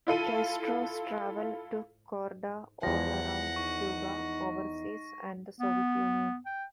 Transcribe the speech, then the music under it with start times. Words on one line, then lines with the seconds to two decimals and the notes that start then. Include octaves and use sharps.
Castro's travels took Korda all around Cuba, overseas, and the Soviet Union.
0.07 E4 F4 A4 D#7
2.83 E2 F3 F#5 A#6
3.56 D#4 C#6
5.60 B3
6.46 G5